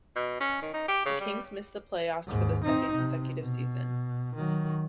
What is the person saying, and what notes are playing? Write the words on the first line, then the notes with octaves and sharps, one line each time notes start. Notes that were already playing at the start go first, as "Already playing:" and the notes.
The Kings missed the playoffs for the second consecutive season.
B2
C#4
D#3
D#4
G4
C#3
G3
D#2 G#2
C4 D#4
C3
B2
D#3 F#3